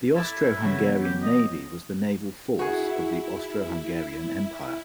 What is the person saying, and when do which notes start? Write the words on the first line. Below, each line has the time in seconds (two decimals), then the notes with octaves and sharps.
The Austro-Hungarian Navy was the naval force of the Austro-Hungarian Empire.
0.16 E4 A4 D6 E6
0.61 C#3 E3 F#3
0.79 B3
1.03 G4
1.22 D#5
2.59 E4 F#4 G#4